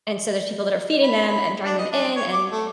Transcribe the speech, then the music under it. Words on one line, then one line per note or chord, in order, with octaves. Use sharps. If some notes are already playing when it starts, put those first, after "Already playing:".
and so, there's people that are feeding them and drawing them in, and,
B5
B5
D4
D#5
D4
C#5
D6
A3